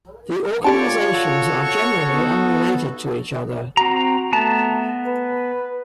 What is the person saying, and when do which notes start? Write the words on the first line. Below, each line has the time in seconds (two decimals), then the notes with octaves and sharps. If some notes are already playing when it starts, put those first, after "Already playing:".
The organisations are generally unrelated to each other.
0.64 D3 F4 G4 C#5 D5 A5 D6
1.13 F#4 A4
1.63 C#5 C#6
2.11 B3 D#4
3.77 C4 F#4 A#5
4.33 A3 B3 A5 A#5
5.07 B4